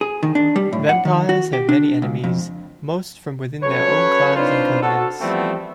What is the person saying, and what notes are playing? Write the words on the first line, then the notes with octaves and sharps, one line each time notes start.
Vampires have many enemies, most from within their own clans and covenants.
G#4
D#3
D4
G3
A2
F#5
D#3
F#4
G4
D4
C#2
F2
F#3 C#4 A4 B4 C#5
C4 D4 D#4 F4 B4 C5
F#4 A4
E3 F3 G3 A3 B3 C4